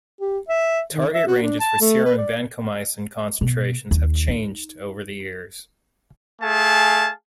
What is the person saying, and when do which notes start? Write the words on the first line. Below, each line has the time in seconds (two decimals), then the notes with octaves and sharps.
Target ranges for serum vancomycin concentrations have changed over the years.
0.21 G4
0.49 E5
0.94 D#3
1.13 E5
1.27 F#4
1.43 D4
1.60 A5
1.81 A3
2.05 B4
2.18 D5
3.41 B2
3.91 D#2
4.28 D#4
6.42 A3 G#4 F5 G#5 A5